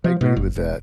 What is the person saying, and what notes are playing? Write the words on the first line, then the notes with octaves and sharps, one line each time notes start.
I agree with that.
F3
B2
F#1
E1